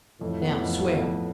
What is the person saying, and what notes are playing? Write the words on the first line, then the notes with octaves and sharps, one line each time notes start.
Now swear.'
F2 A2
B3
F2
B3
F2